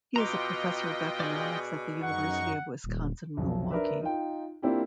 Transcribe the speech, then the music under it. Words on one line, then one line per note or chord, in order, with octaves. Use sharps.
He is a professor of economics at the University of Wisconsin-Milwaukee.
B2 F4 D#5 G5 A#5 C6 D6
G#4 D5
F#2 D#4 F#5 C#6
D#1
B1 F2
D4 A#4 B4 E5
D#4 F4 G5
A#3 C4 D4 E4 F4 G4